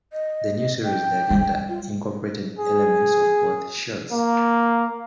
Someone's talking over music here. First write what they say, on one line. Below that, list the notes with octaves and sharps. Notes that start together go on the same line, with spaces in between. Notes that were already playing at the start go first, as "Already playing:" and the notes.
The new series "The Agenda" incorporated elements of both shows.
D#5
G5
G3
F4
G#4
A#3